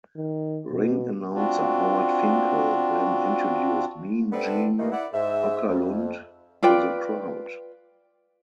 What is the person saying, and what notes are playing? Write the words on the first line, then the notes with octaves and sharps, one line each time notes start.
Ring announcer Howard Finkel then introduced "Mean" Gene Okerlund to the crowd.
D#3
B2
C4 D4 F4 F#4
C3 B3 C4 D4 A4 B4
G2 D#3 E3 A#3 D#4
E4 D5 F#5
G#2 E5
F2
F4 B4 D5 G5